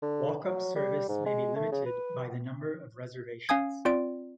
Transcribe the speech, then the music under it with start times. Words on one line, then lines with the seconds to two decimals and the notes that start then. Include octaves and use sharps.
Walk-up service may be limited by the number of reservations.
0.02 D3
0.46 F#3
0.76 G3
1.08 G#2
1.26 G#3
1.56 A3
1.72 C#3
1.86 B4
3.49 C#4 F5 G#5 D#6 G#6
3.85 C4 F4 D5 D7